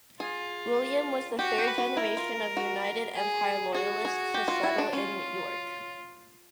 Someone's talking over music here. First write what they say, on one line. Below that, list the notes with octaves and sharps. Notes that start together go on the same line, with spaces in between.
William was the third generation of United Empire Loyalists to settle in York.
F4 G#4
F#4 G4
G4
B4
F#4
E4 A#4
F4
F#4
G#4
F#4 G#4
G#4
G4
F4
E4
D4
C#4 F4